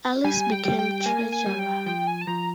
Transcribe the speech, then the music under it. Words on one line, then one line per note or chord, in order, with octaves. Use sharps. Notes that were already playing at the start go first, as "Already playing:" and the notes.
Allis became Treasurer.
G3 G#5
G5
G3
G5
A#3 G#5
G#5
G3
G5
F3 G5
G#5
A5
F3 A#5